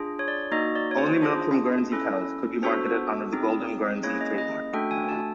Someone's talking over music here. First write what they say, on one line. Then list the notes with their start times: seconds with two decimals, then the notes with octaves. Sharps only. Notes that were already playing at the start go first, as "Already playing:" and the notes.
Only milk from Guernsey cows could be marketed under the Golden Guernsey trademark.
Already playing: D4 F4 G#4
0.19 C#5
0.28 D5
0.51 A#3 D#4 F#4 D#5
0.76 D5
0.91 C#5
0.98 C5
1.22 D4 F4 G#4
1.92 C#4 E4 A4
2.63 B3 D4 F#4 A4 C5
3.33 C4 D#4 G#4
4.03 A#3 C#4 E4 G#4 C#5
4.21 D#5
4.38 D#5
4.73 A3 D4 F#4 A4 G5
4.91 G#5
5.09 A5